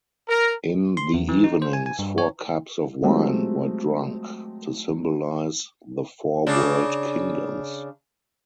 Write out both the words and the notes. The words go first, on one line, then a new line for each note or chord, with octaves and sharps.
In the evenings four cups of wine were drunk, to symbolize the four world-kingdoms.
A#4
C6
E2
E3
D#4
C5
G#5
G#5
G2
C#5
F#3 G#3 A3 C4 F4 G4
C#3 D4